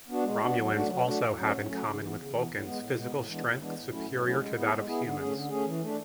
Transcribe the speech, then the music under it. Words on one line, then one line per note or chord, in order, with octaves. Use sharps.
Romulans also have in common with Vulcans physical strength superior to that of humans.
B3 D4 F#4
G#3
B3 D4 F#4
F#3
A3 D4 F#4
F#3
A3 D4 F#4
A2
F#3 A3 C#4
A2
F#3 A3 C#4
C#3
E3 B3
C#3
E3 B3
A2
G#3 B3
A2
G#3 B3
A2
E3 G#3 B3 D4
A2
E3 G#3 B3 D4
A2
F#3 A3 C#4 E4
A2
F#3 A3 C#4 E4
G#3
B3 E4 G#4
G#3
B3 E4 G#4
D3
A3 C#4 G#4
D3
A3 C#4 G#4
E3
A3 D4